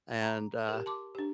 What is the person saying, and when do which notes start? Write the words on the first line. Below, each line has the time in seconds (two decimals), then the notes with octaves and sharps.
And, uh
0.22 A#5
0.69 G4 A#4
0.86 A5 C6 D6
1.15 D4 G4